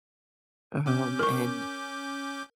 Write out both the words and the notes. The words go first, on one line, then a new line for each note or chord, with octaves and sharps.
uh-huh um, and
C#4 D6 G6
A#4 C#6